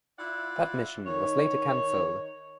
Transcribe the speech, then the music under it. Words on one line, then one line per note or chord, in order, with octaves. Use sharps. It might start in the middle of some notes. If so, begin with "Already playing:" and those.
That mission was later canceled.
E4 F4 D5 E5 F#5
D#3 C#5